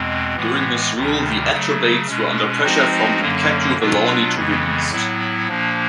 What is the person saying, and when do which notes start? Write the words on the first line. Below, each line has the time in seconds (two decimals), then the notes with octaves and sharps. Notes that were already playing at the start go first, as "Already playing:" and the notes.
During his rule, the Atrebates were under pressure from the Catuvellauni to the east.
Already playing: E2 B2 G#3 C4
0.36 A2 E3 G#3 B3
0.93 D2 C3 D#3 G3
1.50 C#3 F#3 A3
2.07 B2 G#3 C#4
2.63 F3 G#3 C4 D#4 F#4
3.21 F#2 D3 F#3 A#3 C#4
3.78 B2 F#3 B3 D4 F4
4.34 F2 C#3 E3 G#3 B3
4.91 A2 F#3 B3 E4
5.48 A#2 F3 A#3 D4